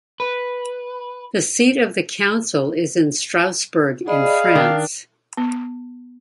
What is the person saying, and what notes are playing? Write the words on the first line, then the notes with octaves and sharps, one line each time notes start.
The seat of the Council is in Strasbourg in France.
B4
G#4 D5 D#5 F5 B5
D#3 D4
B3